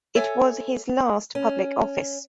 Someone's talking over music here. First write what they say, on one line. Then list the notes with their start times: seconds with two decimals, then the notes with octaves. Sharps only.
It was his last public office.
0.15 A4 C#5 E5 G#5
1.35 C#4